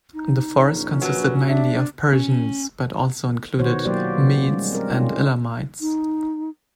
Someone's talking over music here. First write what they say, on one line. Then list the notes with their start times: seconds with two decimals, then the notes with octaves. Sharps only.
The force consisted mainly of Persians, but also included Medes and Elamites.
0.14 D#4
0.69 A#1 C#4
1.02 F#3 B4
1.47 D4 E5
2.13 C#4
3.59 B2 D#3 B3 F#4 C5 C#5
3.85 F#3 A#3 F4 G4 C5 D5
4.47 G3 G#3 C#4
4.72 C4 A#4
4.90 G#3 C#4 D#4 F4
5.81 D#4